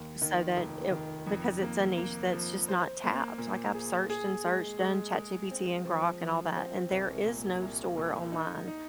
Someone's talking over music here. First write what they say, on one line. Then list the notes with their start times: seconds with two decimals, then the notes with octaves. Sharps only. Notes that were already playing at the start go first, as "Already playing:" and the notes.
so that it because it's a niche that's just not tapped, like, I've searched and searched, done ChatGPT and Grok and all that, and there is no store, online,
Already playing: D#2
0.22 D#3
0.57 F1
0.92 D#3
1.27 F2
1.62 A#3
1.98 A#3
2.33 F3
2.68 C5
3.04 A#3
3.38 A#2
3.74 G#4
4.10 G#4
4.45 G#3
4.80 G#3
5.15 G#3
5.51 C4
5.85 F3
6.21 F3
6.56 C4
6.91 C2
7.26 A#2
7.62 C2
7.97 A#2
8.32 D#4
8.68 D#4